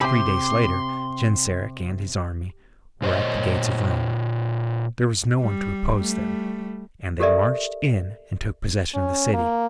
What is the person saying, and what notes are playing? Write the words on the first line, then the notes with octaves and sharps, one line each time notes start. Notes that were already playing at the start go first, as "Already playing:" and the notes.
Three days later Genseric and his army were at the gates of Rome. There was no one to oppose them, and they marched in and took possession of the city.
C3 G4 B5 C6
A#2 C5 C#5 D#5
G3
G3 A3
G4 A4 A#4 D5 E5
C#4
A#3